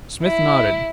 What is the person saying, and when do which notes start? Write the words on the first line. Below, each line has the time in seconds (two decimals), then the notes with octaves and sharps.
Smith nodded.
0.23 E4